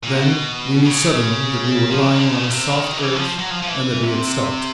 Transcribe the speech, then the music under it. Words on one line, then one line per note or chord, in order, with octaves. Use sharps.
Then we knew suddenly that we were lying on a soft earth and that we had stopped.
A#2
B2
C#3
F3
E3
D#3
D3
C#3
C3
D#3
E3
F3
F#3
F3
F3
E3
C3